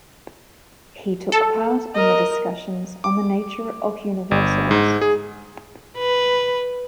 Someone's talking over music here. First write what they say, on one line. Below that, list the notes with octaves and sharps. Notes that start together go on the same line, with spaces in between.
He took part in the discussions on the nature of Universals.
A4
A#4 D#5
D6
G1
G#2
G#4
B4